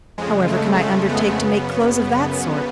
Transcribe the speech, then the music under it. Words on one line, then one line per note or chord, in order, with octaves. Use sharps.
'However can I undertake to make clothes of that sort?
F2 C#3 G#3
A3
A3
B3
F#2 C#3